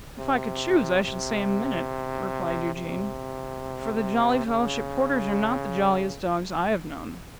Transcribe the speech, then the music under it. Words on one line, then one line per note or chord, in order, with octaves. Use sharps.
'If I could choose, I should say a minute,' replied Eugene, 'for the Jolly Fellowship Porters are not the jolliest dogs I have known.
C3
C3
C3
C#3